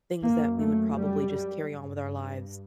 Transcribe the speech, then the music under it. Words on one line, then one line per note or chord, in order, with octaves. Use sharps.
things that we would probably just carry on with our lives,
F#2 A#3
A3
G3
G2